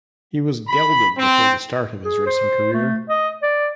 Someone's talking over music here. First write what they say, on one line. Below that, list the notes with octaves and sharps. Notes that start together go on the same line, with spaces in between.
He was gelded before the start of his racing career.
B5
C4
G#4
C5
A3
D#5
D5